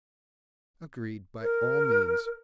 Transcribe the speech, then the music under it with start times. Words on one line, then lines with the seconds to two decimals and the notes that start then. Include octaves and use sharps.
"Agreed, by all means."
1.42 A#4